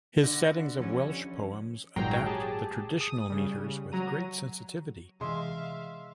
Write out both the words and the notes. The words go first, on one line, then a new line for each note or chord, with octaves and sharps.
His settings of Welsh poems adapt the traditional metres with great sensitivity.
D3 E4 B4 D5 A#6
F3 G3 C#4 E4 A4
G#1 A#2 F#3 G5 A#5 C7
G4 G#4 A5
D#6
C#3 G3
F#3 A#5 D#7
C3 E3 G#3 E5 F5 C6